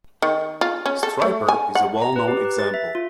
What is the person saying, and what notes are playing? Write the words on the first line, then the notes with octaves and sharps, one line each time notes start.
Stryper is a well-known example.
D#3
F4
C#4
A4
A3
G#5
F#5
A#5
B4
G4
B4
A6
E5
F4